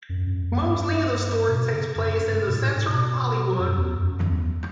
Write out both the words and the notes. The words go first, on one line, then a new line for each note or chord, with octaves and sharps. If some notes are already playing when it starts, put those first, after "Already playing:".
Mostly the story takes place in the centre of Hollywood.
F#2
F#2
F#2
G2
B2
C#3
F#2
G2
B2
A2
G2
A2
B2
F#2
E2
F#2
F#2
E2